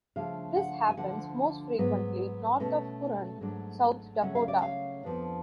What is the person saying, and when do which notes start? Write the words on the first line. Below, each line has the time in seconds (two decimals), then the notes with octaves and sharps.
This happens most frequently north of Huron, South Dakota.
0.16 C#3 F3 A3 D4 F5
0.56 F#5
0.89 G#5
0.97 D2 D3 F3 F#5
1.78 G#2 F#3 B3
2.60 B2 A3 C#4
3.41 G#2 F#3 A3 D4
4.22 C#3 F#3 A3 C#4 F#5
4.35 F5
4.48 D5
4.62 F5
5.03 F2 F3 B3 D4